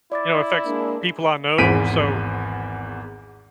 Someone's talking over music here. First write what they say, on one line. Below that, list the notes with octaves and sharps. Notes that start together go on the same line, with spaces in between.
you know, it affects people I know. So,
E4 D5 D6 A6
G#3 A#3 D4
G#1 E2 G#2 B6 D7 D#7